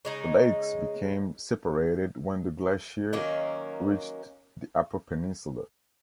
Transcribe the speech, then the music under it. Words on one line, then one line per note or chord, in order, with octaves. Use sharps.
The lakes became separated when the glacier reached the upper peninsula.
C#3 G#3 D#4
D#3 F#3 A#3 C#4